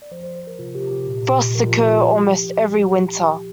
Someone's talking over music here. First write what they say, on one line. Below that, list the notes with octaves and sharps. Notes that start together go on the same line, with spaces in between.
Frosts occur almost every winter.
D5
F3 C5
C5
F3
C5
F3 A#4
C3 F4
C3 G4
C3 G4
A#2
A#2
A#2
F3 A#4
F4
F3 G4
F3 F4
F3 G4